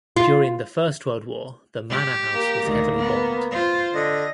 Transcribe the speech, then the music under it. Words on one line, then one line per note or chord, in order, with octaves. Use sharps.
During the First World War the manor house was heavily bombed.
F4
G4
A#3
D2 D#3
B3
F4 C5
D3 D#5